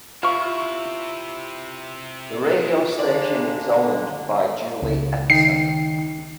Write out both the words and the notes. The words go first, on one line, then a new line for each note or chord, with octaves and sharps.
The radio station is owned by Julie Epperson.
C3 E4 F4 F5 C#6
D3 G#3 A#3 D4 D5
C#2
D#3 D#4 G5 C7